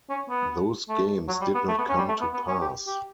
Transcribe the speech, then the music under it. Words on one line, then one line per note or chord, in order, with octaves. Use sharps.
Those games did not come to pass.
C#4
B3
A3
F#3
G3
B3
A3
B3
C#4
G3
A3
B3
B3
C#4
G4
G4